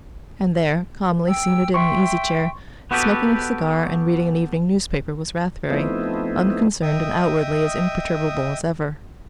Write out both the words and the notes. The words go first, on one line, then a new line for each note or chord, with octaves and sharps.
And there, calmly seated in an easy-chair, smoking a cigar, and reading an evening newspaper, was Rathbury, unconcerned and outwardly as imperturbable as ever.
G5 E6
E5 G5 C6 C#6
B3 F#4 G4 A4 B4
F3 A3 B3 C4 D#4 E4
D#5 E5 G5 D#6